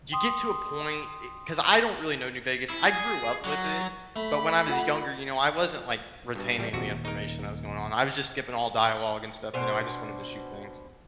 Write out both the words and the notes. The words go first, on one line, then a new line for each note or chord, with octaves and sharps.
You get to a point e 'cause I don't really know New Vegas, I grew up with it, but when I was younger, you know, I wasn't, like, retaining the information that was going on, I was just skipping all dialogue and stuff, you know, I just wanted to shoot things.
G5 C6 D#6
E4
G#4
F#3
A3 B5
F4 A4 F#5
G2 B2
A1 E2 A2 G3
D#1 F2 C3 F#4
D#4 A#4
B2 D4 C5 G#5